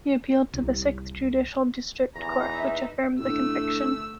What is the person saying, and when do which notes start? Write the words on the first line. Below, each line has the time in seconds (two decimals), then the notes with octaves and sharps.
He appealed to the Sixth Judicial District Court, which affirmed the conviction.
0.54 C2
2.15 E2 A#5
2.49 D#4 B4 E5
3.20 A2 D3 A3 E6